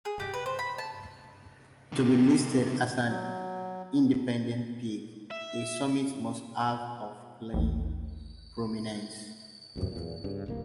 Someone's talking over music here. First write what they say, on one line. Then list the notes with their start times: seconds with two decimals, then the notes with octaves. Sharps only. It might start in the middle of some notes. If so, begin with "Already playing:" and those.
To be listed as an independent peak a summit must have of clean prominence.
0.05 G#4
0.20 G4
0.34 B4
0.46 C5
0.59 B5
0.78 A5
1.92 C3 D#3
3.08 F#3
5.31 E5
7.54 A1 D#2
9.76 C#2 F#2 C3
9.92 E2 A#2
10.24 G2 C#3
10.46 D1 C2 A#3